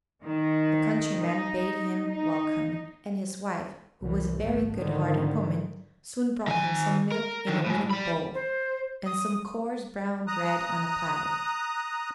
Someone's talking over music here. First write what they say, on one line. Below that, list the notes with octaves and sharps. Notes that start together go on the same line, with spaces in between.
The countryman bade him welcome, and his wife, who was a very good-hearted woman, soon brought him some milk in a wooden bowl, and some coarse brown bread on a platter.
D#3
D#4
D#4
F1 C2 E3
G#1 A3
G#2 D3 D#3
D#3 G#5
A#4
D3 D#3
A2 G#3
G3 B5
C5
D#6
A#5 D#6 F#6